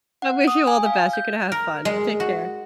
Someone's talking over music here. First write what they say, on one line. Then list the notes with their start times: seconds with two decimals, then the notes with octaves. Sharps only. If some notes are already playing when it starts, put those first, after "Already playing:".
I wish you all the best, you gonna have fun. Take care.
0.22 F#5
0.48 D#6
0.67 G#5
0.86 F5
1.13 G6
1.52 A#4
1.85 G#3
2.20 F#4